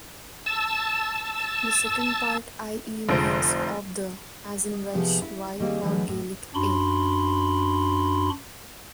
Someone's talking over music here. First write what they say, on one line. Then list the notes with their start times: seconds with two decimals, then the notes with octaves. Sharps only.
The second part "-ie-", means "of the", as in Welsh "y" or Gaelic "a"'.
0.46 A5 E6
3.09 F1 D3 F3 C5 D7
4.71 D#5
4.94 C3 F3 B3 G4 G#4
5.22 E4
5.60 D#3 G3 A#3 C4 G#4
5.83 D3 E3 F#3 G#3 A3
6.08 A2
6.55 F#2 D4 F#4 B5 C6